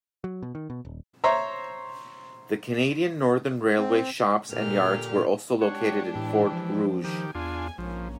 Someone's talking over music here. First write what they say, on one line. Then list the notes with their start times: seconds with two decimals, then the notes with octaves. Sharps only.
The Canadian Northern Railway shops and yards were also located in Fort Rouge.
0.24 F#3
0.42 B2
0.55 D#3
0.70 B2
0.85 D#1
1.24 C5 C#5 E5 A#5
3.79 C4
4.51 A#2 D3 G4 F6
5.61 G#3 D4 G4 C#5 F#5
6.15 A2 E3
6.52 F3
7.04 D#3 G4
7.35 E2 D4 F4 G#5
7.78 A#1 G#2 F3 A#3 C#4